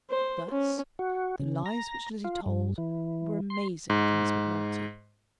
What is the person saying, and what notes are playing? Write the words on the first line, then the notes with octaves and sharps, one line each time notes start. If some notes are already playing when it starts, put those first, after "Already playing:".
Thus the lies which Lizzie told were amazing to Miss Macnulty.
C5
C#4
F#4
C#3
A#5
F4
G2
E3
C6
G#2